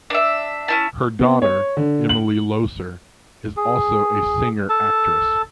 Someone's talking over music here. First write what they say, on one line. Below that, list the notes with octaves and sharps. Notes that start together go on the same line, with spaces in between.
Her daughter, Emily Loesser, is also a singer-actress.
D4 E5
C#4 E4 A5
B3
C#5
D3
F#7
G#4
A4 A5